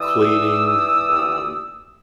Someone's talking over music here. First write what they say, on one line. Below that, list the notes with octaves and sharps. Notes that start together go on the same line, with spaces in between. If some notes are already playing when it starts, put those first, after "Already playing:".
cleaning, um
E3 D5 D#6 E6